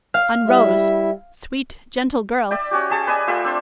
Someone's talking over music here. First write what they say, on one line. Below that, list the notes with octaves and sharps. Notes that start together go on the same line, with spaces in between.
On Rose, sweet, gentle girl!
F5
G3 E4 E5
D5 E5 G5
C#4 F#4 G4
G4 G#4 A5 C#6
B4 D5 D#5 G#5
A3 F4 G4 E5
C4 D4 C5